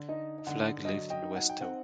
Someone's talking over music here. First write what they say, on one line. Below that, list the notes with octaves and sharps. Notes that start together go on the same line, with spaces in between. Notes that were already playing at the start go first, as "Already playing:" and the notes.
Flagg lived in Westoe.
Already playing: D3
D#4 D#5
D#5
D3 F#5
F#3 D#5
D#5 G5
D#4
F#5
G5
C4 F#5